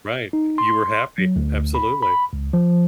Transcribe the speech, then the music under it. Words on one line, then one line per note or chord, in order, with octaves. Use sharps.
Right, you were happy, absolutely.
D#4
C6
F#3
D2
B5
B5
C#2
F3